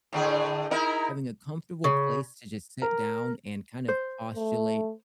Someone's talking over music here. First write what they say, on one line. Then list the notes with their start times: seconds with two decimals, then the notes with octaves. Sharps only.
having a comfortable place to just sit down and kind of postulate,
0.13 A2 D3 G#4
0.71 D#4 E4 A#4
1.84 C#3
2.82 A#4
3.88 C5
4.36 A3